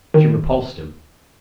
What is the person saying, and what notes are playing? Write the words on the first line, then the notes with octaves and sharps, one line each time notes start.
She repulsed him.
D#3